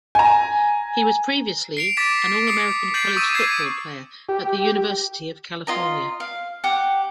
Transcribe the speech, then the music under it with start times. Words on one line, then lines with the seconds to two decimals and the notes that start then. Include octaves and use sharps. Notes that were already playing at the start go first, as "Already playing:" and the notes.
He was previously an All-American college football player at the University of California.
0.15 G#5 A#5
1.77 C7 D7 F7
1.97 D6 A6 B6 D7 E7
2.47 D#6 C7 C#7
2.94 G6 A6 C7 D#7 F#7
3.16 C#6 D#6 E6 D#7 E7
3.33 C#6 D#6 E6 G#6 C7 D#7
4.29 G4
5.67 F4 D#5 A#5
6.20 F5
6.64 G4 F#5